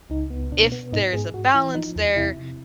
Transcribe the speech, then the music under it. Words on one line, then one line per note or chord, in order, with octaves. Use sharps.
if there's a balance there
C#2 D#4
B3
B2 D4
B3
G#2 D#4
G#2 G#4
G#2 F#4
E3 E4
F3 D#4
E2
C3 E4
C3